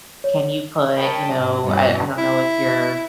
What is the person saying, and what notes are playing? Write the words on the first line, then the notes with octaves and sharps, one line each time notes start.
"Can you put, you know" I I don't know if you're,
C#5
A#4 C#5 D#5 G5 A5 B5
G#2 C#3 F#3
E2 G2 B2 E3 F#3 C#4
E4